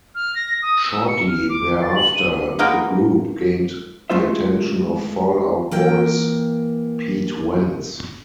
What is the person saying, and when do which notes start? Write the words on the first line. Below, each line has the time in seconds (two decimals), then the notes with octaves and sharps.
Shortly thereafter, the group gained the attention of Fall Out Boy's Pete Wentz.
0.15 F6
0.35 A#6
0.62 D#6
0.85 E6
1.08 C#7
1.27 F6
1.49 D6
1.82 A6
1.96 F#7
2.15 D#7
2.59 G#3 A#3 B3 D#4 A#4 G5
4.10 G#3 A3 F4 C5 E5
5.71 E3 A#3 G5